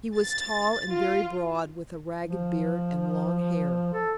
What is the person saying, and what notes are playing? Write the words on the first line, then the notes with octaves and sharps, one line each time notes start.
He was tall and very broad, with a ragged beard and long hair.
A6
F4
F3
A4